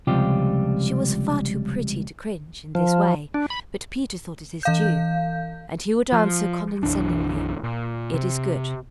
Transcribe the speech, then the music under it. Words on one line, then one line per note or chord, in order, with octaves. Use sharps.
She was far too pretty to cringe in this way, but Peter thought it his due, and he would answer condescendingly, 'It is good.
C#2 C3 F3 G3 F4 G4
F3
D4
B5
E3 F5 G6
F3
B1 F#2 E3 D4
A#2
C3